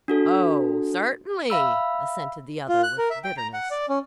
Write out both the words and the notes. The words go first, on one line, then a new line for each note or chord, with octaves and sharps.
"Oh, certainly!" assented the other with bitterness.
D4 F#4 A4
E5 F5 B5 E6
F4
F#6
A#4
E5
G5
A#5
F#5
D5
C#4